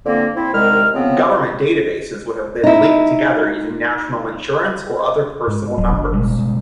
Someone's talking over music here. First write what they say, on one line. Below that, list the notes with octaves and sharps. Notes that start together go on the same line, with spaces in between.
Government databases would have been linked together using National Insurance or other personal numbers.
D3 F3 A#3 C4
C4 E4
C2 D#3 G#3 F6
C#3 F3 B3 C4
D#4 E4
G#2
D1 F#3
G1 D4
B2 G3 G#3